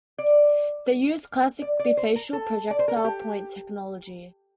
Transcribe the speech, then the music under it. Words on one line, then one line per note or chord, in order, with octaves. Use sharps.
They used classic bifacial projectile point technology.
D5
D5
D5
C5
A#4
A4
D5
C5
A#4
A4
G4